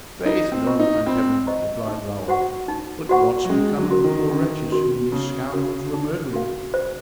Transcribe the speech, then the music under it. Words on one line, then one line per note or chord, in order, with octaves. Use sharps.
"Faith, no, thank Heaven!" replied Raoul; "but what has become of the poor wretches whom these scoundrels were murdering?"
D#4 F4
C4
C5 D#5 A#5 C#6
D#4
C4 F4
C5 D#5 A#5 C#6
D#4
F#4 C5 F#5 C#6
D#4
F#4 C5 F#5 C#6
F#3
G#3 C#4
F#3
F#4 A#4
D#3
C#4
F#4 A#4
C#3 D#4
F#4 A#4 F5
D#4
F#4 A#4 F5
C5